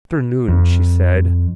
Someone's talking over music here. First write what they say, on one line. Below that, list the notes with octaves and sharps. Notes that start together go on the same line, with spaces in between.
Afternoon she said.
F2